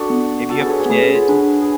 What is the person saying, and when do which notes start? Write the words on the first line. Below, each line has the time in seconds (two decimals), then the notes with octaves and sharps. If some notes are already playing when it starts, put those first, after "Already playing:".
maybe you have a kid,
Already playing: D4 F#4 A4
0.10 B3
0.49 F#4 A4
0.59 G#4 B4
0.69 A4 C#5
0.79 A4 C#5
0.85 B3
0.90 A3 G#4 B4
1.02 C#4
1.15 F4
1.28 D4 G#4 B4
1.61 G#4